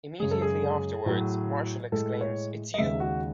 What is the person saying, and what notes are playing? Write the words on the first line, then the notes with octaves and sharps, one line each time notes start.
Immediately afterwards Marshall exclaims It's you!
F#2 C#3 G#3 G#4
A4
G#4
A2 F#3
A2 G#3 A4
C#5
D#5
D#2 C#3 G#3 E5
F#4